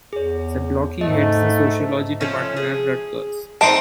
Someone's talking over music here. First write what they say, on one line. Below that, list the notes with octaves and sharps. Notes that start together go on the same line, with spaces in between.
Zablocki heads the Sociology department at Rutgers.
E2 G#4 C#5
G#2 A3 D#5
F3 A3 C#4
G#4
C4 D#4 A5 D6